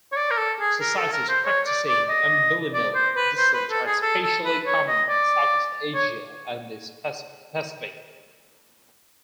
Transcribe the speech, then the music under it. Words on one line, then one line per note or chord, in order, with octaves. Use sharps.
Societies practicing ambilineal descent are especially common in Southeast Asia and the Pacific.
C#5
D5
A#4
A4
G#4
A#4
A4
A#4
C5
C#5
D5
D5
D#5
D5
C5
B4
C5
B4
A4
G#4
A4
A4
B4
C#5
D#5
D5
C#5